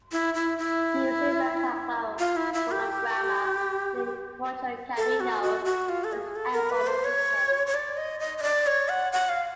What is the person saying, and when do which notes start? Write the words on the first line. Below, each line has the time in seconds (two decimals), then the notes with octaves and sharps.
Music website Club Fonograma named Cuatro Caminos best album of the decade.
0.12 E4
0.34 E4
0.58 E4
2.19 F4
2.36 E4
2.54 E4
2.71 G4
4.97 A4
5.20 F#4
5.43 F#4
5.65 F#4
5.89 F4
6.04 A4
6.12 G#4
6.36 A4
6.52 A#4
6.70 B4
6.87 C5
7.04 C#5
7.67 C#5
7.74 D5
7.97 D#5
8.20 D#5
8.38 D#5
8.43 D5
8.67 C#5
8.89 F#5
9.12 F#5
9.29 F5